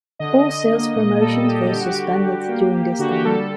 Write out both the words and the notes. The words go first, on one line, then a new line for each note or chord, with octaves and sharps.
All sales promotions were suspended during this time.
D3 D#5
D3
A#3
A#2 D#5
G3 A4
G3 G4
D3 G4
F#4
G4
D3
D3
A#3
A#3
D3 F#4
G4
G3 A4